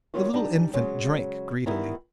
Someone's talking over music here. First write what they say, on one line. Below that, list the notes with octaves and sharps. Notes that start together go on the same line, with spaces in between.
The little infant drank greedily.
D#3 F#3 B3 F4 F#4
G3 D4 D#4
C#3 F#3 G#3
D#3 E3 G3 B3 D#4 E4